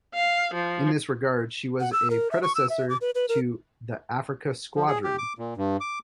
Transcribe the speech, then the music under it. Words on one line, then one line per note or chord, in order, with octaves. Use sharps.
In this regard she was a predecessor to the Africa Squadron.
F5
F3
F#5
E6
A#4
E5
C#6
E6
E5
D6
B4
B4
A#4
F3
G#4
G4
D6
A#2
G2
D6